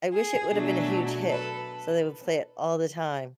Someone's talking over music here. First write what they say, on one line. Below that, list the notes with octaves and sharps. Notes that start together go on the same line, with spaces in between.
I wish it would have been a huge hit so they would play it all the time.
G#4
B2 F#3 A3 D4
A4 B4